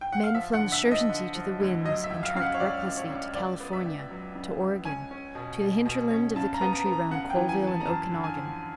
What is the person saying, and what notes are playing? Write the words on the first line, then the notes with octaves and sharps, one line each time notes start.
Men flung certainty to the winds and trekked recklessly to California, to Oregon, to the hinterland of the country round Colville and Okanagan.
G5
F#5
F5
F3 E5
F#5
D3
E5
F3
D#5
D3
F3
D2
F#3 D#5
E5
C#2
F5
C#3 F5
F#5
C#5
C#2 D5
C#2
C#5
C#3
C#2 D5
B3
E5
C#2
F#3
C#3
C#2
C#4 G#5
C#4
B2
B2
B2
C#4
C#3 A5
A#5
B3
A#5
B3
A#5
C#3 F#5
G5
E3
G#5
E3
A5
A#5
F#2 A5
D3
G#5
F3